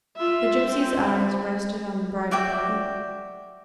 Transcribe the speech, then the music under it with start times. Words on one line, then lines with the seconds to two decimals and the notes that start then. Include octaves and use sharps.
The gipsy's eyes rested on the bridal party....
0.17 F4 E5
0.63 C4
2.31 F#4 D5 E5 G5